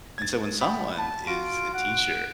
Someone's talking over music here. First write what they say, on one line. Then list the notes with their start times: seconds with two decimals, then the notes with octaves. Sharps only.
and so, when someone is a teacher,
0.18 G#6 A6
0.61 F#5 G5 B5
0.98 A5
1.27 F4 F#4 D7
1.74 F#5